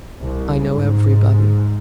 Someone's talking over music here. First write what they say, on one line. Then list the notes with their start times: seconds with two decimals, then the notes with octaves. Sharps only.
I know everybody.
0.21 C2
0.68 G#2